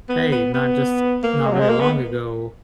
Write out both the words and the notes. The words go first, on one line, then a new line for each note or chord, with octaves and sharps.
"Hey, not just not very long ago
B3
B3
B3
A#3
G#3
F#3
G#3
A#3
B3